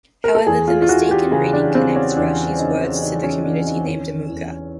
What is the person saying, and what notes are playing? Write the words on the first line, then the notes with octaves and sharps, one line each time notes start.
However, the mistaken reading connects Rashi's words to the community named Amuka.
A#4
A4
E2 G#4
F4
F4
E3 F#4
G4
C#3 G#4
D4
C#3 C4
C#4
E2 D4
C#3 D#4
C#3 D#4
C#4
E2 D4
D#4
E2 C#4
E2